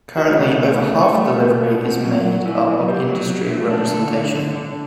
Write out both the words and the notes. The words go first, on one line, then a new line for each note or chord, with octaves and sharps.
Currently, over half the Livery is made up of industry representation.
F#4
B2
A3
A3
A3
A3
B2
F#4
C4
F#3
F#3
E4
F#3
G4
F#3
F#3
A3
D4
D3
D3
D3
D3